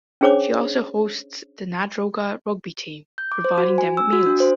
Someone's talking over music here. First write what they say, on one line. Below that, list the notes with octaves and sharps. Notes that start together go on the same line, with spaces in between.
She also hosts the Nadroga rugby team, providing them with meals.
C#4 D4 G#4 C5 C#5 D6
G6
D6
C5
F#4
G#5
E6
F#4
D4
C5